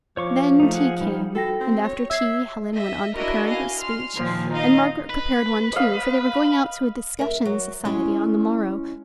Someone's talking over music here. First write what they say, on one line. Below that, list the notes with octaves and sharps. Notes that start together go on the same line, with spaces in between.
Then tea came, and after tea Helen went on preparing her speech, and Margaret prepared one, too, for they were going out to a discussion society on the morrow.
F3 C#5 C#6 D6
A3 D#4
G#4 F#5
G3 D#4
F#4 A4 G5 A#6
C4
C#5
E5 E6 G#6 C7
D#5 E5
D4 E4 F#4 A#4 D#5 E5
D#5 F5 G#5
C6 F6
A#2 D#3 F3
D#4 D#5 F5
B4
D#5 F5
A#4 E5
F#3
G#3 C#4 E4